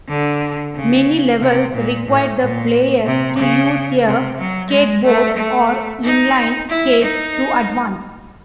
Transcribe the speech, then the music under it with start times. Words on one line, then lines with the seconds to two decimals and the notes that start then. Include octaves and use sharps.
Many levels require the player to use a skateboard or inline skates to advance.
0.09 D3
0.75 C#3
1.40 C3
1.74 A#2
2.07 A2
2.39 A#2
3.06 C3
3.39 C#3
4.05 C3
4.38 F#3
4.71 G#3
5.04 A3
5.37 A3
6.04 D#4
6.69 E4
7.02 D#4